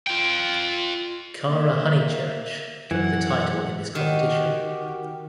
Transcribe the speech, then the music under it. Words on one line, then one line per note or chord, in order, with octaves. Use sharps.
Cara Honeychurch took the title in this competition.
F4 G5
A#3 E5
F#2 E3 F#5
D#3 F#4 G4